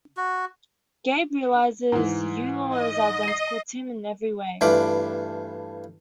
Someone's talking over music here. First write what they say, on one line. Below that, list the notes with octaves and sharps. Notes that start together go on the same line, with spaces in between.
Gabe realizes Yulaw is identical to him in every way.
F#4
G#2 E3
D#5
C7 D#7
G2 E3 A3 F4 B4 D6